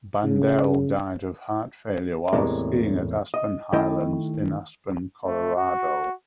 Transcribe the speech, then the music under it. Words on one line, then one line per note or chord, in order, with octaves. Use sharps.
Bandel died of heart failure while skiing at Aspen Highlands in Aspen, Colorado.
C#3
E2 A2 C3 G#3 A#3
D#5
D#3 A3 E4 D#5 G5
A3
F#4